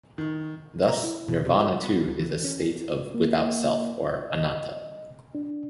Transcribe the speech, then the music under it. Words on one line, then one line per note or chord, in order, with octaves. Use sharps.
Thus, "nirvana" too is a state of "without Self" or anatta.
D#3
A#5
E4
B2
C3
F4
B3
D2
E3
C#4
A#3
D#5
D4